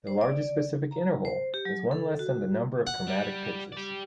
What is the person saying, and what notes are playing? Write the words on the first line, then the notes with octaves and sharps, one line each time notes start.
The largest specific interval is one less than the number of "chromatic" pitches.
C5
D5
A#5
C5
G4
F#3
A4
F#4
F#5
G3
G4 D5